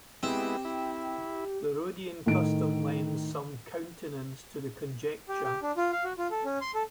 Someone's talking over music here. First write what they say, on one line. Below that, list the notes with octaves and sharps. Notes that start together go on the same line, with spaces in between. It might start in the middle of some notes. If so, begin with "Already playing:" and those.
The Rhodian custom lends some countenance to the conjecture.
G#3 B3 C4 E4 G4
E4
A2 D#3 D7
G4
G4
D4
F4
F5
F#4
F4
A4
C#4
C6
A4